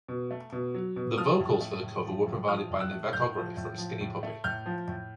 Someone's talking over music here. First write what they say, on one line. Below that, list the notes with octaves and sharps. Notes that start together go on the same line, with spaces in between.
The vocals for the cover were provided by Nivek Ogre from Skinny Puppy.
B2
A3
B2
F#3
B2
F3 D#6 F6
A2
A3
A2
F3
A2
F3 D#6 F6
A2
E6 F#6
A3
A2 F6 G6
F3
A2
F3
A2
A3
A2 F6 G6
F3
A2